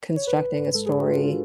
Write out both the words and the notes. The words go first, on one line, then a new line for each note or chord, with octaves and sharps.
constructing a story,
C#5
G#1 B4
G#1
G#2
G#3 A4
G#2 G#4
F#4
G#3 F4
D4
G#3 F4